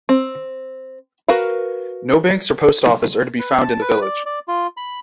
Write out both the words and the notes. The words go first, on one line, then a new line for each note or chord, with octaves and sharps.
No banks or post office are to be found in the village.
C4
F#4 A#4 B4 F5
B4
A5
B4
D5
D5
F4
B5